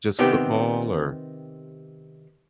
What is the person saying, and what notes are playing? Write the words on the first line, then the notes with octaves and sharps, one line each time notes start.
just football or
C3 D#3 B3 G4